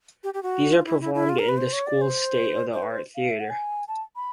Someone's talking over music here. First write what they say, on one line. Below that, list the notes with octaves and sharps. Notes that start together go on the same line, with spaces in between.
These are performed in the school's state of the art theatre.
G4
G4
F#4
F4
E4
E4
E4
F4
A#4
B4
C5
C#5
D5
C5
C5
B4
C5
F5
E5
F#5
G#5
A5
B5